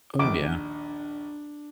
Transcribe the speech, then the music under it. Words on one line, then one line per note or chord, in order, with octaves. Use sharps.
Oh, yeah.
A#1 D#2 D4 D6